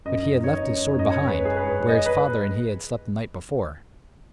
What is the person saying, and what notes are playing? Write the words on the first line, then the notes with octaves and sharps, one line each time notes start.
But he had left his sword behind, where his father and he had slept the night before.
F#2 D#5
D#4
D#5
D#4 C#5
F#2 D#5
D#4
F#2
D#5
C#4 C#5
G#3 B4
G#3 G#4
B4
G#2 C#5
G#3
D#5
G#3
B4